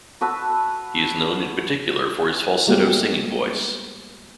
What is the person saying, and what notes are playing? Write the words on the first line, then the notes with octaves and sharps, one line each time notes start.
He is known in particular for his falsetto singing voice.
F#4 B4 A5 E6
G3 G#3 A#3 B3 F#4 G4